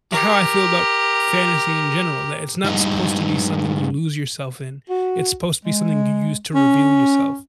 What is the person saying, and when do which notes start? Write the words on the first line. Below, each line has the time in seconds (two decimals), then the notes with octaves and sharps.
how I feel about fantasy in general, that it's not supposed to be something you lose yourself in, it's supposed to be something you use to reveal yourself.
0.11 G4 A#4
2.64 G2 D#4
4.90 F#4
5.65 G#3
6.55 C#4